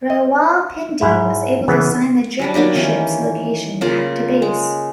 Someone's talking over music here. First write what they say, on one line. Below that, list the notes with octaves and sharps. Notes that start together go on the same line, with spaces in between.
"Rawalpindi" was able to signal the German ships' location back to base.
D#5
G#2 E4
C#3 E3 B3
F#3 G3 D4
F#3 A#3 D4 G4
D#3 E3 C#4 G4
C#3 A#3 F4
G#3